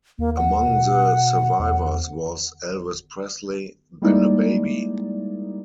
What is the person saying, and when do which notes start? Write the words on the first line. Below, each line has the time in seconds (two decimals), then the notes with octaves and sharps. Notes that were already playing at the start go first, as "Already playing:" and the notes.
Among the survivors was Elvis Presley, then a baby.
0.19 D#2 A#3
0.37 F#5
0.68 B2
1.60 E2
4.02 G3 G#3 A#3 D#4 E4 D5